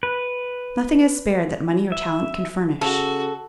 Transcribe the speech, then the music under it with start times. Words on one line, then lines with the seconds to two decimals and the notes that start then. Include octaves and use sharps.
Nothing is spared that money or talent can furnish.
0.03 B4
1.92 E5
2.81 C#3 F#4 A4